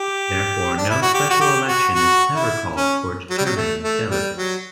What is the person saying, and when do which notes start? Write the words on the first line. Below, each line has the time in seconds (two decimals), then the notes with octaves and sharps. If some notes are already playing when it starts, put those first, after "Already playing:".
Therefore, no special election is ever called for determining delegates.
Already playing: G4
0.78 D4
0.90 E4
1.02 F#4
1.14 G4
1.30 F#4
1.41 G4
1.68 F#4
1.95 F#4
2.35 E4
2.76 C#4
3.30 F#3
3.38 G3
3.46 F#3
3.56 A3
3.83 A3
4.11 G3
4.37 F#3